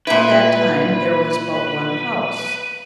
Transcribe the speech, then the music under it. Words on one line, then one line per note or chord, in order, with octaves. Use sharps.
At that time there was but one house.
A#2 E4 B4